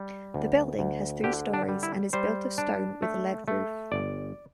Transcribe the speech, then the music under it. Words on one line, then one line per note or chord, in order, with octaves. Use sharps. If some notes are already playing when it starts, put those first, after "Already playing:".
The building has three storeys and is built of stone with a lead roof.
Already playing: G3
D2
D2
D3 G4
D4
G3
E4
G3 C5
D4
A3
A3
G1 D5